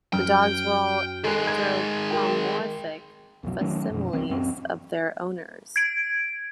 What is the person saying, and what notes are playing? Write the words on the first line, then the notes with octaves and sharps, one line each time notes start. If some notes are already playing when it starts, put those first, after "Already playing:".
The dogs were all anthropomorphic facsimiles of their owners.
F#2 G5 F6
D#3 G#3 A4 G#5 F#6
G#6
A#4 G5
C2 F2 B2 F#3
D#3 F#3 A3 C#4
F#2 B2 F3
C2 E3 C4
D1 F#2 C4
G#6 D7